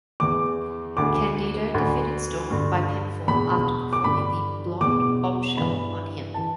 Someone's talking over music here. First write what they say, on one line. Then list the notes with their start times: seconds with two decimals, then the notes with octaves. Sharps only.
Candido defeated Storm by pinfall after performing the "Blonde Bombshell" on him.
0.20 E2 E3 D6
0.97 D2 D3 D6
1.74 D2 D3
2.50 G2 D3
3.27 E2 B2 B5
3.93 D6
4.04 G2 D3 B5
4.81 E2 B2 D6
5.57 G2 E3 B5
6.34 E3 A5